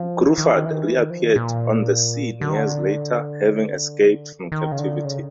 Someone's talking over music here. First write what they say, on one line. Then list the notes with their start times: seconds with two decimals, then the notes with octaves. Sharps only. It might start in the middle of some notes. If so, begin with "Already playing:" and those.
Gruffudd reappeared on the scene years later, having escaped from captivity.
Already playing: F3
0.38 D#3
0.44 E3
0.56 D#3
0.65 E3
0.70 D#3
0.83 E3
0.96 D#3
1.10 F3
1.23 D#3
1.36 A#2
2.41 D3
2.49 D#3
2.56 D3
4.52 D#3
4.72 C#3
4.79 D3
5.05 C#3